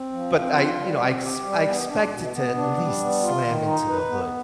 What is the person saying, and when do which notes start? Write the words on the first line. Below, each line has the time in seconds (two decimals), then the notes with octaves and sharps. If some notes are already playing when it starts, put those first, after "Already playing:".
But I you know, I ex I expected to at least slam into the hood.
Already playing: C4
0.12 F3
0.35 C4
0.56 F4
0.78 G3
1.01 C4
1.22 G4
1.44 G3
1.67 B3
1.88 D4
2.10 B2
2.32 B3
2.55 D4
2.78 G3
2.99 B3
3.22 F4
3.44 D#3
3.65 D#4
3.88 B4
4.09 B3